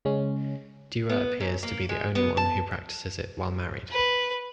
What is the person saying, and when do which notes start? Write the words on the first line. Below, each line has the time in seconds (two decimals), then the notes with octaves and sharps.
Dua appears to be the only one who practices it while married.
0.05 C#3 G#3 C#4
1.09 B3
1.40 F#2
1.63 A#3
1.89 G#3
2.15 B3
2.37 A5
3.91 B4